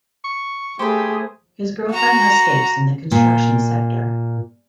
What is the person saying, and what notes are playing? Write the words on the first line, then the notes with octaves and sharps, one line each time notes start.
His girlfriend has stakes in the construction sector.
C#6
A3 G4 G#4 C5 B5
F#4 A#5
A#2